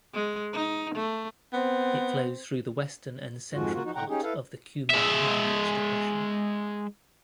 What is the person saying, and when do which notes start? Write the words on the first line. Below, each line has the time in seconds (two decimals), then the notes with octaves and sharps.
It flows through the western and central part of the Kuma-Manych Depression.
0.14 G#3
0.53 D#4
0.95 A3
1.53 B3 C4
3.53 F2 G#2 F3 G#3 F4 F#4
3.73 A#3 F4 F#4
3.84 F3 D#4 F#4
3.95 A2 D3 F#5 G5 A#5
4.08 C#4 D#4 G4 G#4
4.23 E4 A4 B4 F5
4.90 G#3 E5